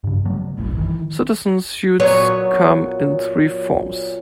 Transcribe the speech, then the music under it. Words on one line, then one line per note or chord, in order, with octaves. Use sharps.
Citizen suits come in three forms.
G2 C#3
C#3 F#3 G3 A3
F#1 B1 A2
D#3 E3
A#2 F#3 B3 C#5